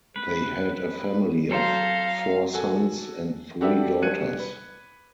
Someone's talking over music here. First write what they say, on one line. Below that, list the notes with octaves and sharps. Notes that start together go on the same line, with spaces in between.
They had a family of four sons and three daughters.
B4
F#3 C4 A4 C5 F5 A#5 C6
F#4 A4 G#5
F#4 G4 A4 B4 D5 E5
D2 G3 F#6 G#6 C#7 D#7
B4